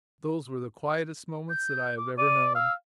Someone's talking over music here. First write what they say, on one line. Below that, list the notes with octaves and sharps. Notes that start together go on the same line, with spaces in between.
Those were the quietest moments that I have ever known.
G6
D6
D5 D#7
F5 E6